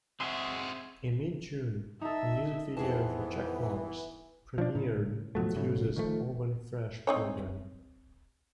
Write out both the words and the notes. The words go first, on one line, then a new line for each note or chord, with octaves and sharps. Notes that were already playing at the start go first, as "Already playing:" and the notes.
In mid-June, a music video for "Checkmarks" premiered on Fuse's "Oven Fresh" programme.
G#3 C4 F#4 G#4 E5
D#4 A4 E5
F2 E3 B3 G#4 A5
F3 C#4 D4
A2 C#3
B2 F3 F#3 A3
G#2 C#3 F#3 A3
D#3 F3 A3
C4 D#4 C#5